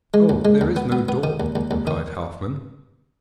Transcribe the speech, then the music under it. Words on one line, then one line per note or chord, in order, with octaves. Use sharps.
'Oh, there is no door,' replied Halfman.
G#3
D#2
G#3
D#2
B3
B3
B3
D#3
D#2
D#2
D#2
D#3